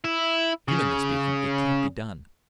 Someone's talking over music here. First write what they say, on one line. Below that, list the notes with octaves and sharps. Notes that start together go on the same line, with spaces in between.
Humanly speaking, it can't be done.
E4
C#3